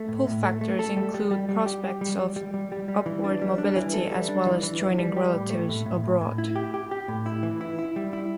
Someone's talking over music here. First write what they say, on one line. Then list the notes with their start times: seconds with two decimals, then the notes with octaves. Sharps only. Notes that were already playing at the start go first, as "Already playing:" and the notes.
Pull factors include prospects of upward mobility as well as joining relatives abroad.
Already playing: A3
0.08 A2
0.27 A2
0.44 A3
0.61 A3
0.79 A4
0.97 G3
1.14 G3
1.31 G3
1.49 G3
1.66 G4
1.84 G4
2.01 G3
2.19 G3
2.36 G3
2.54 G3
2.72 G3
2.88 G3
3.06 E3
3.24 D4
3.42 G3
3.58 D4
3.76 E3
3.94 A4
4.11 G3
4.28 D4
4.46 E3
4.63 E3
4.81 E3
4.99 G3
5.17 G4
5.34 A2
5.51 A3
5.69 A2
5.86 A2
6.04 A2
6.21 A2
6.38 E4
6.56 G4
6.74 G4
6.91 G4
7.08 A2
7.26 E4
7.43 E3
7.61 E4
7.79 E4
7.96 G3
8.13 E4